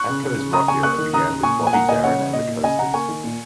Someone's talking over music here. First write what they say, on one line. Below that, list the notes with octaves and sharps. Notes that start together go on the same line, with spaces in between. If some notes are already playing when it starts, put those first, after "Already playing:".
Atco's rock era began with Bobby Darin and The Coasters.
Already playing: C#6 F#6
C#3
C#3
C#3
C#3 A#5 D#6
C#3 G#5 C#6
A#3 C#6 F#6
D#3
C#3 A#5 D#6
C#3
A#2 G#5 C#6
A#2
G#5
A#3 F#5 A#5
A#2 D#5 G#5
C#3 C#5 F#5
C#3
A#2 D#5
A#2
C#3 D#5 G#5
C#3 F#5 A#5
A#3 G#5 C#6
D#3
A#2